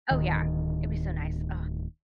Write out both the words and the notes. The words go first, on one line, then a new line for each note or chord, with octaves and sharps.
Oh, yeah. It'd be so nice, ugh.
D1 D#3